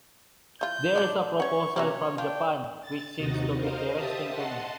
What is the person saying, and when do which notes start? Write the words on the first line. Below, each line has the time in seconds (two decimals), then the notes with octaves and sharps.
There is a proposal from Japan, which seems to be interesting to me.
0.61 E3 F4 G6
0.96 A2 F#3 D4 D5
1.40 C#4 C#5 F#5 C#6
1.76 C3 F#3 A#3 C#4 D#4 G4 C#5
2.18 D4 F4 G5
2.81 A6
3.17 D#2 C3 D#4 F#4 D#5
3.56 A#4 C5 D#5 F5
3.93 G4 E5 A5 D#6
4.30 D#5 F#5 A5 C6